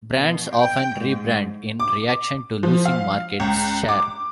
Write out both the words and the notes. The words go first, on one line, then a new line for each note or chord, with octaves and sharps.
Brands often re-brand in reaction to losing market share.
B2
G5
G#2
D6
F3
F5
C#2
D6